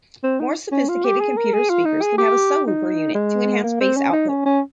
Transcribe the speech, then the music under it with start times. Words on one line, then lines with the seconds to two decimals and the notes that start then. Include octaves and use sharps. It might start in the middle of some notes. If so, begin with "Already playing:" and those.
More sophisticated computer speakers can have a subwoofer unit, to enhance bass output.
0.24 C4
0.40 D#4
0.72 C#4
0.89 F4
1.04 G4
1.21 G#4
1.37 A#4
1.53 G#4
1.70 F4
1.85 D#4
2.02 G#4
2.18 G4
2.67 D#4
3.15 G#3
3.63 A#3
3.80 C4
3.97 C#4
4.13 D#4
4.29 C#4
4.46 C#4